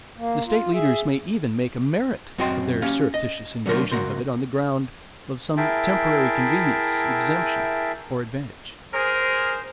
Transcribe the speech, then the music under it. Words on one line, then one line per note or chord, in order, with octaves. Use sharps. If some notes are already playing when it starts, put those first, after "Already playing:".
The State leaders may even make a merit of their surreptitious invasions of it on the ground of some temporary convenience, exemption, or advantage.
A#3
F4
G#4 E5
F#2 C4 F#4 D#5 G5 C6
A#3 C#4 G4 C#5 F5
D#5
D3 F#3 A3 A#4 C5
C#2 A#2 F#4 A#4 C5
E4 G#4 A#4 E5 G5 A5
G#4 A#4 C5